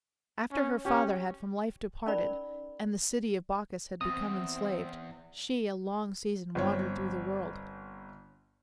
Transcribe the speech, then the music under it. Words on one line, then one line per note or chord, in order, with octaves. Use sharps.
After her father had from life departed, And the city of Bacchus had become enslaved, She a long season wandered through the world.
C#4
C#4 G4
C#4 D#4 A#4 D5 B5
E2 C4 D#6
G1 C4 C#5